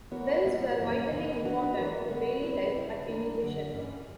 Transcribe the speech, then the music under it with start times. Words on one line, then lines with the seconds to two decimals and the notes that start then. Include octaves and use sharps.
Bells were vitally important to daily life at any mission.
0.11 E3 B3 F#4 A#4 C#5
0.44 A#2 G3 B3 F#4
0.77 F#2 E3 A#3 E4
1.11 F#2 C#3 E3 B3
1.43 E3 B3 D4 F#4 B4
1.77 E3 B3 F#4 A#4
2.10 C#3 G3 B3 F#4 C#5
2.43 F#3 B3 E4 B4
2.76 C#3 G3 B3 E4 G4
3.09 E3 A#3 D4 A#4
3.42 F#2 D3 F#3
3.74 G2 E3 G3 C#4